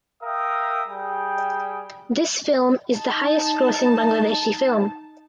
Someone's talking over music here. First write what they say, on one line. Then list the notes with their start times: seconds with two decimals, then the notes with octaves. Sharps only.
This film is the highest grossing Bangladeshi film.
0.22 A#4 E5 F5 G5 D#6
0.88 G3 G#4 G5
2.92 D#4 A5